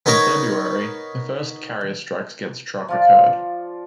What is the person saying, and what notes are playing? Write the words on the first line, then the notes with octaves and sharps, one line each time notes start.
In February the first carrier strikes against Truk occurred.
B3 D#4 A#4 C#5
F3 F4 D5